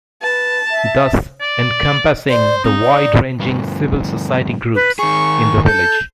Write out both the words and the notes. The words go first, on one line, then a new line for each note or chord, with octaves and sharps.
Thus encompassing the wide-ranging Civil Society groups in the village.
B4 A5
E5
D5
C5 D5
C4 D#4
D5
D2 G2
B4
D#3 G#4 C#6
A4 G6